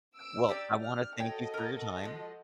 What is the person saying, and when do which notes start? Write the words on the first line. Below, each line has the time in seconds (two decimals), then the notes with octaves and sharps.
Well, I wanna thank you for your time.
0.15 E6 D7
0.49 D#4 G4 D5
0.82 F6
1.18 F#4 A4 C#5 D#5 G5
1.54 A#4 A#5
2.03 F3 G#3